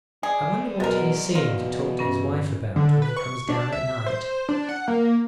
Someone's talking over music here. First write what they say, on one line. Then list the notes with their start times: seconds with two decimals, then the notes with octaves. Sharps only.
I wonder what he is seeing to talk to his wife about when he comes down at night?
0.23 E3 G#4 D5
0.80 B2 F#3 G#3 A#4
1.35 B2 D#4 F4
1.99 G2 C#4
2.76 D3
3.02 B4
3.17 C#6
3.49 D4
3.72 E5
4.06 C5
4.49 D4
4.69 F#5
4.88 A#3